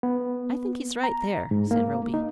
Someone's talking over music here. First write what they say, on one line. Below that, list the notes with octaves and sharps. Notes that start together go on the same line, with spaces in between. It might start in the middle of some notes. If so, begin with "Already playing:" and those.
"I think he's right there," said Roby.
B3
A#5
G#2
A#3
D#4